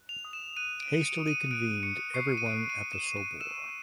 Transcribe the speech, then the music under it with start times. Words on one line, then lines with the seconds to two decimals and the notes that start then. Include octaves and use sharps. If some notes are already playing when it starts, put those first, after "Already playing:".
Hastily convened everyone at the Sobor.
Already playing: F#6
0.09 F7
0.25 D#6
0.33 E7
0.57 F#6 D#7
0.80 D7
0.88 F#6
0.94 C#7
1.04 D7
1.20 D#6
1.28 D#7
1.51 F#6 D7
1.83 C#6 C#7
2.14 C#6 C7
2.37 D#7
2.46 F#6 D7
2.70 D#7
2.77 F#6
2.93 E7
3.09 C#6
3.17 D#7
3.40 E6 E7